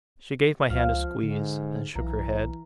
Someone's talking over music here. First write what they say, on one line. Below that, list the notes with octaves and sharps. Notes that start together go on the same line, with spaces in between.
She gave my hand a squeeze, and shook her head.
C#2 F3 F5
G#2 D3
B1 E3 A#5